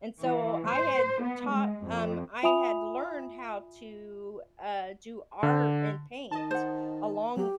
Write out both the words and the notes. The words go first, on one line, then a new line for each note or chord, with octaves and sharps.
and so I had taught, um I had learned how to, uh, do art and paint a long,
E3
C5
B3
G#3
F2
F4 E5 G#5 B5 D#6 F7
D3
D#3 D#5 A5
C5 F#5
F#3 G4